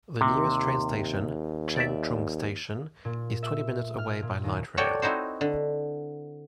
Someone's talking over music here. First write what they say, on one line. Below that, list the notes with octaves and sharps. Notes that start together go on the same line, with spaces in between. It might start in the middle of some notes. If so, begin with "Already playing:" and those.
The nearest train station, Changchun Station, is twenty minutes away by light rail.
D#2 C3
D5 E5
A#2
E5
F6
A#2
D#2
F#4 A4 C#5 D5 G5
C4 D#4 E4 F#4 C5
D3